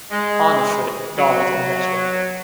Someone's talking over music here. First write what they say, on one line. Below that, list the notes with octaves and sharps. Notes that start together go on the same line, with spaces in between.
Arnefrit died in battle.
G#3
F#3